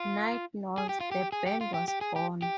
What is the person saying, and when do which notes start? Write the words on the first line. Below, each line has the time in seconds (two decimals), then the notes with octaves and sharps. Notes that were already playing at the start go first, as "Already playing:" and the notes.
Nightnoise, the band, was born.
Already playing: F4
0.78 G#4
0.89 G4
1.01 F4
1.12 G4
1.32 G#4
1.46 G4
1.61 F4
1.74 G4
1.88 G4
2.01 G#4
2.16 G4
2.42 G4